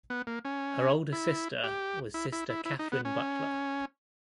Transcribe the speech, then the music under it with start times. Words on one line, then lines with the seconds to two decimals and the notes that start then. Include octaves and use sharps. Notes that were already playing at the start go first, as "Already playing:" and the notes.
Her older sister was Sister Katherine Butler.
0.10 B3
0.27 A#3
0.45 C#4
1.12 E4
1.64 G4
2.14 E4
2.32 E4
2.50 E4
2.65 E4
2.79 D#4
2.92 B3
3.05 C#4